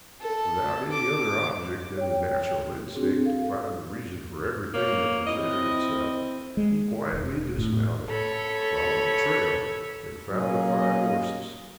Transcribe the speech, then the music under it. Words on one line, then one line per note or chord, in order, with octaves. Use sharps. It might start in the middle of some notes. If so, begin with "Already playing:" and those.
Without any other object than the natural instinct to find the reason for everything that presented itself, he quietly dismounted, followed the trail, and found the five horses.
A4
D6
C#5 G5
C4 D4 F#4 G#4
A4 F5
A#3 C#5
C4 E4 D#5
G#3
E1
A2
A4 C#5 B5
F#3 A#3 C#4 G#4 D#5